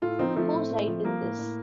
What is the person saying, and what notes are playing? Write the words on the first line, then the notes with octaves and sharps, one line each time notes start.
Who's right in this?
A2 F4 A4
F3 C4 D#4
F3 A3 C4
A2
A2
F3
F3 A#3
A2
A2